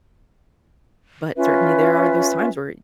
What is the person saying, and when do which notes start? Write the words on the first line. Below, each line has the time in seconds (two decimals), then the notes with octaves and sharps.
but certainly there are those times where
1.36 C#4 F4 B4 E5